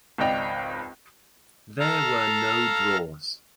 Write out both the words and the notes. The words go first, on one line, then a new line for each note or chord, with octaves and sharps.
There were no draws.
G#1 C#2 D5 D#5 G5 F7
A4 F5 A#5